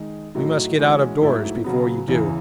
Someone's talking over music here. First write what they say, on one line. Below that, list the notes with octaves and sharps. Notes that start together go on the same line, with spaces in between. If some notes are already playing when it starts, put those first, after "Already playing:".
We must get out of doors before you do.
Already playing: D#3 G#3 D#4
A2 F#3 A3 D#4 F#4
E3 G#3 C#4 F#4
G#2 F#3 A3 E4
C#3 F#3 B3
E2 C#3 E3